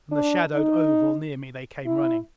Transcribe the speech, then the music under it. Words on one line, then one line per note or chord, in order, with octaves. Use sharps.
From the shadowed oval near me they came running.
D4
D#4
E4